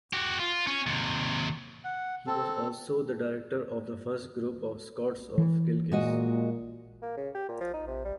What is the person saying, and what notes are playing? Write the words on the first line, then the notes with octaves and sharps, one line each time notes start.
He was also the director of the first group of scouts of Kilkis.
F#4 G4
F4
C#4
D#2 C3
F#5
C4 A4
E3
A#2 G#3 F#4 D#5
A#3
C#3
G4
A#2
F3
D#4
C3
G3